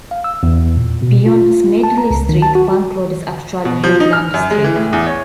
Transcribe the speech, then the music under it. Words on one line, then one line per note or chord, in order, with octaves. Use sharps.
Beyond Smedley Street, Bank Road is actually Rutland Street.
F5
E6
E2
A#2
B2
F4
A5
A#5
C#2
D#3
A5
F#4
B2
F3
D#4
F6
F#2
G#3
E3
A2
E2
C#5